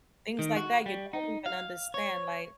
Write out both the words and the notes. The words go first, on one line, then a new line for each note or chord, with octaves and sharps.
Things like that, you don't even understand, like,
D#3
F#4
G3
D#4
F5
C#5